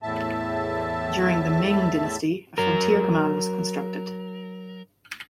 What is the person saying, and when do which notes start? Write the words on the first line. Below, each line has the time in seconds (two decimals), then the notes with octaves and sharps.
During the Ming Dynasty, a frontier command was constructed.
0.02 E2 A2 E5 A5
2.58 F#3 A#4